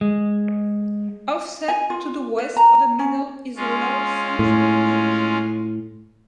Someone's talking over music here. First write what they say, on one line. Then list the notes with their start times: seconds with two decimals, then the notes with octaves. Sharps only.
Offset to the west of the middle is a low central peak.
0.01 G#3
1.68 G#5
1.90 F4
2.38 B4
2.57 A#5
2.99 C#4
3.56 G#3 C#4 F4
4.39 A2